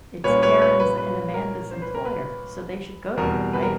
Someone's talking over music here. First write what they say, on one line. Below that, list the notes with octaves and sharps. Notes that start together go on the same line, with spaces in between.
It's Karen's and Amanda's employer, so they should go to it, right?
A#2 G3 A#3 C#4 B4 C#5
B4 C#5
B4 C#5
B4
B4
A#4
C5
B4
A#4
B4
E2 B2 G3 C4 A#4
B4
A#4